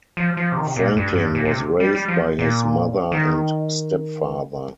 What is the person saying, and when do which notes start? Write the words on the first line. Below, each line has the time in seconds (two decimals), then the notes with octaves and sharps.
Franklin was raised by his mother and stepfather.
0.17 F3
0.37 F3
0.52 C3
0.57 D#3
0.67 C3
0.76 A#2
0.97 G2
1.15 G2
1.35 A#2
1.45 A#2
1.51 C3
1.80 G3
1.95 G3
2.08 F3
2.39 A#2
3.12 D#3